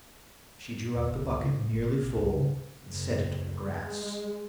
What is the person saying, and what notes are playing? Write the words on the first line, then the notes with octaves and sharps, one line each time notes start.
She drew out the bucket nearly full, and set it on the grass.
D#2
F1
C#2
C#3
A2
G1
B2
A1
C#2
C#3
F#1
G#3